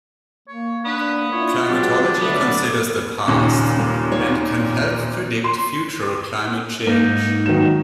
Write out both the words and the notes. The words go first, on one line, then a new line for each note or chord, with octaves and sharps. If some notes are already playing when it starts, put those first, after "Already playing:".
Climatology considers the past and can help predict future climate change.
A#3 C#5
B3 D4 B4
D4 E4 F4 C#5
B2 F#3 G#3 D4 G4
D3 F#3 A3 B3
D#2 A#2 C#3 C#4
A#3
C#5 D5
C6
G#2 A#3 D#4
D#3 F#3 E7